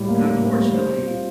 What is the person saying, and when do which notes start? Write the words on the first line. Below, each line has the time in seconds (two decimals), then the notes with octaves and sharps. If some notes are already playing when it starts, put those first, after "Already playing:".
and unfortunately,
Already playing: A2 G3
0.08 A#3
0.24 A2
0.42 A2
0.57 G3
0.74 C5
0.90 C4
1.07 F4